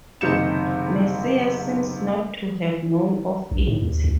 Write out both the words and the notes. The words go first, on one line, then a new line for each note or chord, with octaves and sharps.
Messier seems not to have known of it.
F#1 C3 D#3 G6 C#7 E7
A#1
A2
D#2
D2